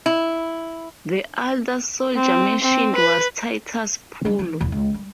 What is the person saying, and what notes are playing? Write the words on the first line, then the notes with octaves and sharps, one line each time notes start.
The other soldier mentioned was Titus Pullo.
E4
C4
C4
B4
G3 D4
E3
D#1 E2
C#2
G3